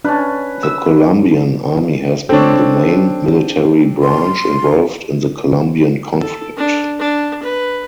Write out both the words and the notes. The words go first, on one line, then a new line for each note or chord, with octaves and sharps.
The Colombian Army has been the main military branch involved in the Colombian conflict.
C#4 D4 B4
E6
C4 D4 A4 C#5
C6
A4
D4
D4
B4